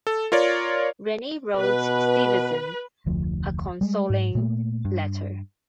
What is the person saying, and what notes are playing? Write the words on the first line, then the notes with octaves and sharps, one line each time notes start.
Rennie wrote Stevenson a consoling letter.
A4
F4 A#4 C#5 D5
B2 B4
F1 D2 F3
G3 G#3
G#2
A#2 A3 A#3
G2